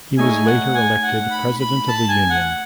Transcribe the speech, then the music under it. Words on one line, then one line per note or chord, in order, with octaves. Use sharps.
He was later elected president of the Union.
A3 D#4 G#4 C#5 G#5
F#5
G#5
F#5
B5
B5
A5
G#5
F#5